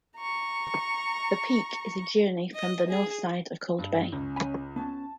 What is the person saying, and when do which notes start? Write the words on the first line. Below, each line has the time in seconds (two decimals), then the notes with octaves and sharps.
The peak is a journey from the north side of Cold Bay.
0.17 A#5 C#6
2.55 D#5
2.88 G#4
3.78 G2
4.12 C#2 C#4
4.36 G#5 B5
4.76 B3 C#4 A5